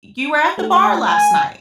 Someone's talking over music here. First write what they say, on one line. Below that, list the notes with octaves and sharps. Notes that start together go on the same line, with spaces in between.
"You were at the bar last night.
A3
G#5